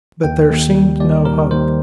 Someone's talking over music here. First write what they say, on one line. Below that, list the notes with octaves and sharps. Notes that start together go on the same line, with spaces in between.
But there seemed no hope.
D#2 G5
D#2
G3
D#2 D5
D#3 A#4
D#2 C5